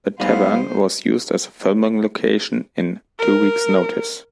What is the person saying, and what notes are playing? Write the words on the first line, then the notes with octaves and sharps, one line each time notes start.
The Tavern was used as a filming location in "Two Weeks Notice".
G3 G#3 B3 D#4 C5 F5
A#4